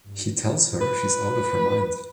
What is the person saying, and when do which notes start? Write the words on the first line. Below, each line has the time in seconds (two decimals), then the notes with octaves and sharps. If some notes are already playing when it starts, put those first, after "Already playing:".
He tells her she is out of her mind.
0.81 B4